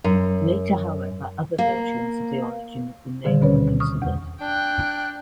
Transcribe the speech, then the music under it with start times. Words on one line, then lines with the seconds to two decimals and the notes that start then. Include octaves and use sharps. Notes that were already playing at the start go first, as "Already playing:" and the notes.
Later, however, other versions of the origin of the name were considered.
0.04 F#2
1.58 A#3
3.24 A#2 D3 D#3 G3
3.41 D2 B2 C#4 B4 C#5
3.80 C#6 D#6 F6
4.02 E2
4.41 D4 G5 F#6